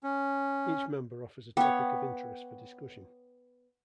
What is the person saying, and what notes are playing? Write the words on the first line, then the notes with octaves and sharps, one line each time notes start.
Each member offers a topic of interest for discussion.
C#4
B3 C#5 F5 G5 D6